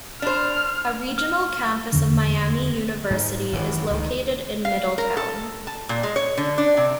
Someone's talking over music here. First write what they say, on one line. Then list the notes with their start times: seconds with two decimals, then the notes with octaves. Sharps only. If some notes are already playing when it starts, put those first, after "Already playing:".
A regional campus of Miami University is located in Middletown.
0.22 D4 C5 F6
1.18 F6
1.93 E2 D3
3.10 G#2 G#3
3.52 G#1 F#2 D3 E3
3.90 C#2 D#3
4.65 F5
4.98 A#4
5.17 A4
5.67 A5
5.89 A#2
6.03 G#3
6.16 C#5
6.37 D3
6.58 D4
6.77 C3